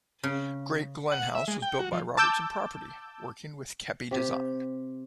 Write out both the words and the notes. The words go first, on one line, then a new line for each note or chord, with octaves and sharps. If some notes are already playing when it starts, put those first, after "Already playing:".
Great Glen House was built by Robertson Property, working with Keppie Design.
C#3
F#5
E5
G#3
G5
F#4
F3
A5 D6 E6 G6
C3 G4